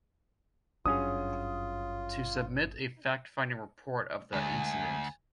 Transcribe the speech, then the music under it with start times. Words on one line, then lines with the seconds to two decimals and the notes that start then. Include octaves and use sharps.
To submit a fact-finding report of the incident.
0.86 G#1 G2 F#3 C#4 D4 F4 G#4 D#6
4.33 D2 D3 G#3 G#5